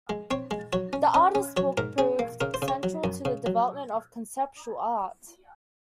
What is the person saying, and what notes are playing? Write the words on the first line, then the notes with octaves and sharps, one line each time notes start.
The artist's book proved central to the development of conceptual art.
G#3
C4 C#5
G#3
F#3 C#5
C#4
C#4 D#5
C#4
F#3 C#5
G#2 A#4
C#4 G#4
A#3
C#3 A#4
C5
C#3
C#5
F#3
F#2
C#3
F#3